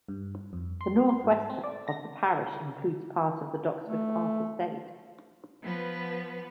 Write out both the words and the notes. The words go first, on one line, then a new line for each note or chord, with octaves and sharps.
The north-west of the parish includes part of the Doxford Park estate.
G2
F2
C6
C6
G#2
C4
D5
A#6
A3
F3 B3 B4